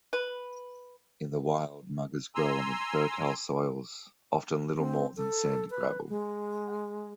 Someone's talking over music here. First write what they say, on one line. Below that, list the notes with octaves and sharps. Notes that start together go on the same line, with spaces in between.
In the wild muggas grow on infertile soils, often little more than sandy gravel.
B4
G#5 A#5 C6 E6
C4
A4
B4
G#3